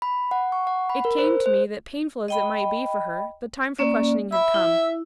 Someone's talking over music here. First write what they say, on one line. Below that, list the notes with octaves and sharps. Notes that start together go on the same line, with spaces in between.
It came to me that painful as it might be for her the time for questioning had come.
B5
F#5
C#6
F#5
B5
A#4
C5
C5
D#5 G5 B5
A#3 C#4 D5
E5 B5
E4